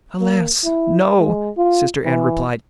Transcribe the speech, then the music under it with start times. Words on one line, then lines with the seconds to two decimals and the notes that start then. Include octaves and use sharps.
"Alas, No!" Sister Anne replied.
0.20 A#3
0.64 E4
1.19 G#3
1.57 F4
2.05 E3